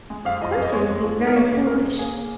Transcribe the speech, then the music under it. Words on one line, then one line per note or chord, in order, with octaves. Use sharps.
Of course he would be very foolish.
G#3
F2 F5
F3 D#5
F5
F2 D#5
G#3 C#5
F2
F3
D#4
A#4
A#3 C#5
C#2
C#3 A#4
C#2
A#3 G#4